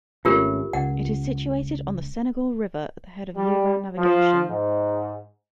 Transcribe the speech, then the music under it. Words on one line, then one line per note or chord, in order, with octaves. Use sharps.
It is situated on the Senegal River at the head of year-round navigation.
G#1 A3 C#4 F4 G4 A#4
C#2 F#5
G3
F3
G#2